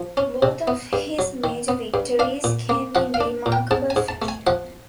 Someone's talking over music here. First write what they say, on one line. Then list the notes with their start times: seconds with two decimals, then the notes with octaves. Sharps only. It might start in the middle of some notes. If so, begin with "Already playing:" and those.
Both of his major victories came in remarkable fashion.
Already playing: F3
0.17 C#4
0.42 C3
0.68 B3
0.93 G2
1.19 F#3
1.44 D#3
1.68 B3
1.94 G2
2.19 D4 F5
2.44 A#2
2.69 A#3
2.95 F3 F#5
3.14 F5
3.21 D4
3.46 A#2
3.52 G5
3.71 G#2 A5
3.90 G#5
3.96 G#2
4.08 A5
4.22 A3
4.28 G#5
4.47 F3 F#5